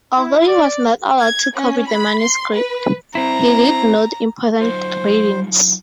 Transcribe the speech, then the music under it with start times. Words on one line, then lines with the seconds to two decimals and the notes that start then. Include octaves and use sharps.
Although he was not allowed to copy the manuscript, he did note important readings.
0.16 E4
0.47 D5
1.19 G#6
1.57 C#4
1.90 B5
2.22 C6
2.55 B4
3.15 C4 E4 A#5
4.61 F#3 D#4 F4 C5